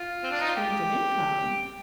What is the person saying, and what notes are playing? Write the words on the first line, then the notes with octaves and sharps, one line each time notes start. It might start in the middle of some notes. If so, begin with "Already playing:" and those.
streams of income,
Already playing: F4
C4
D4
D#4
F4
G4